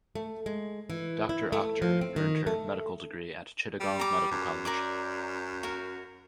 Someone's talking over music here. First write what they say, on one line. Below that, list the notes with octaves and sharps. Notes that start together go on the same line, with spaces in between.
Doctor Akhter earned her medical degree at Chittagong Medical College.
A3
G#3
E3
E4
A3
F3
C4
D#3
A3
G3
A#5 D6
F#2
A#4 D5 D6
F#4 A#4